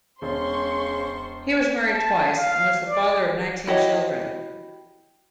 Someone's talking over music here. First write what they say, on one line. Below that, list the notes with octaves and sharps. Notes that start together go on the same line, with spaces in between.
He was married twice and was the father of nineteen children.
E1 C#3 C5 C6 C#6
A5
F5
D5
E4 F#4 G4 C#5 D#5